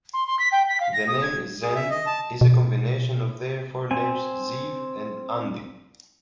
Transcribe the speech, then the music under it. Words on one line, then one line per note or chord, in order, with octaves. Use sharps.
The name Zend is a combination of their forenames, Zeev and Andi.
C6
C6
B6
G5
B6
F5
A#6
D#6
G#6
G#4
E5
D#5
A5
B2
C4 G#5